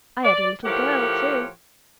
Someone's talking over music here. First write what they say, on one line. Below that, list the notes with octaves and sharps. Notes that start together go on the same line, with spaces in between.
I had a little girl, too.
D5
A2 F3 G4 A#4 C#5 F#5